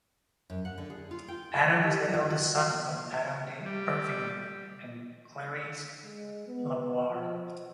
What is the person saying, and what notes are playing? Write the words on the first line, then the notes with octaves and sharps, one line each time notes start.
Adam was the eldest son of Adam de Everingham and Clarice la Warre.
F#2
F#5
D3
G#4
F4
G5
C5
G4
F4
F#4
F5
G3
G#3
B3
F3